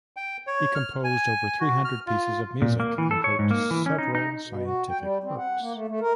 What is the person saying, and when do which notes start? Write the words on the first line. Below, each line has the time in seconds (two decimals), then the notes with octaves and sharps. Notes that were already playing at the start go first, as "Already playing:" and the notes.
He composed over three hundred pieces of music and wrote several scientific works.
0.17 G5
0.47 C#5
0.75 F6
1.04 G#5
1.60 F#4
1.85 F6
2.07 F4
2.62 A#2
2.80 A#3
2.98 E3
3.11 A4
3.24 C#5
3.39 G#2
3.51 A#3
3.71 E3
3.86 C#4
3.98 D#4
4.15 D#4
4.47 B2
4.65 F#4
4.89 G5
5.00 G3
5.24 C4
5.37 F#5
5.60 A#3
5.73 A3
5.88 A3
6.00 A#4